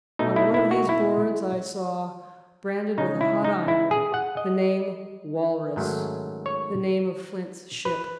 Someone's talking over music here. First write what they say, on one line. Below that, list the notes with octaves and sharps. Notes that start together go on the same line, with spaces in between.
On one of these boards I saw, branded with a hot iron, the name WALRUS--the name of Flint's ship.
B2 A3 D#4
E4
E4
F#4
E4
C#3 G#3 C#4 D#4
E4
D#4
E4
G#4
F#5
D#5
G#2 D#3 F#3 A3 C#4
C#5
B4